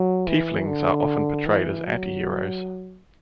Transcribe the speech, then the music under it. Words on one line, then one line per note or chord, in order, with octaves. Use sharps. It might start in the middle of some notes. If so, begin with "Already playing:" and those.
Tieflings are often portrayed as antiheroes.
Already playing: F#3
E3
D3
E3
F#3